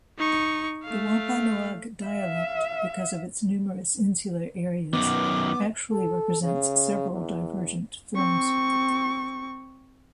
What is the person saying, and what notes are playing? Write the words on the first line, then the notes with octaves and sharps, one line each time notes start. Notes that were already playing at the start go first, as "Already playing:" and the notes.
The Wampanoag dialect, because of its numerous insular areas, actually represents several divergent forms.
D#4 C#6
A3 F5
E5 F5
F#2 D#3 B3 D6
A4
C#3
E2
C4 C#6